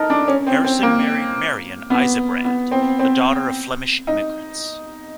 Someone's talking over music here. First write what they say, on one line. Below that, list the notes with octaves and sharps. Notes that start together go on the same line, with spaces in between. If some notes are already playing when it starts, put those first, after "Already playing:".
Harrison married Marion Isebrand, the daughter of Flemish immigrants.
Already playing: D#4 A4 A#4
D4
C#4
C4
C4
A#3
B3
B3
C4
C4
D#4